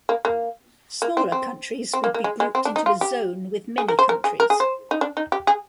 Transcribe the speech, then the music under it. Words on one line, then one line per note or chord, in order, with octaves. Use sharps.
Smaller countries would be grouped into a zone with many countries.
A#3
A#3
A#3
C4
C4
C4
A#3
A#3
G#3
G#3
C4
D4
D#4
F4
G4
G#4
A#4
C5
A#4
G#4
A#4
G#4
C5
D#4
D4
D#4
G4
G#4